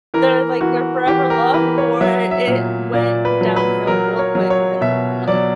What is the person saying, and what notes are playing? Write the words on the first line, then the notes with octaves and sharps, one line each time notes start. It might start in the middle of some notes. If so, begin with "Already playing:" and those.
they're, like, their forever love, or it went downhill real quick within a couple months.
E3 A#4
E3 F#4
E3 G4
A#4
E3 B4
C#5
F#3 E5
E5
A#2
A#2 D5
B4
F#3
B4
F#3 A#4
C#5
F#3
C#5
B2 E5
F#3 D5